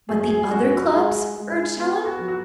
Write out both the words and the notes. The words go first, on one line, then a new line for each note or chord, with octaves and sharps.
"But the other clubs?" urged Helen.
F#2 G#4
G#4
G#4
F#2 F#4
F#4
G#3 G#4
G#3
E4
B3
F#4
F#3
F#4